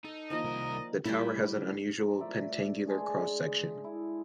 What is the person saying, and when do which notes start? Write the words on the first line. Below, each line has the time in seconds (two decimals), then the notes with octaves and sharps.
The tower has an unusual pentangular cross section.
0.05 D#4 A4
0.30 D#3 F3 A#3 D#5
0.44 C2 A#4
0.74 D5
1.05 G3 A3 E4
1.99 F3 A#4
2.18 G3 A3 D5 E5
2.88 G#3 D4 G#4 G#5
3.84 E4